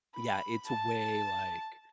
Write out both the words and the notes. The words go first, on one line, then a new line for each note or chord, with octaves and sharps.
Yeah, it's way like
B5
A5